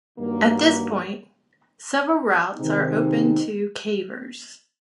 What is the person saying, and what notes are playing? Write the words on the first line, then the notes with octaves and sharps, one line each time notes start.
At this point, several routes are open to cavers.
G2 D#3 F#3 A#3
C3 D#3 G#3 C4 D#4